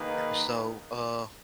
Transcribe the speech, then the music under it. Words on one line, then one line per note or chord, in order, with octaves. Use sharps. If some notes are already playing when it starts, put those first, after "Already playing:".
So, uh,
Already playing: D#3 A#3 D#4 G#4 B4